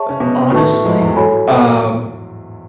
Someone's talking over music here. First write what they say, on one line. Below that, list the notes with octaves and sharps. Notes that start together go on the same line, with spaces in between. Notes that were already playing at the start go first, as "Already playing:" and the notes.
Uh, honestly, um,
Already playing: G#4 C#5 E5 A5 C#6
C#3 C#4
B2 B3
A2 A3 F#4 B4 E5 A5 C#6
G#2 G#3
E2 E3
F#3 F#4 A4 C#5 G#5 B5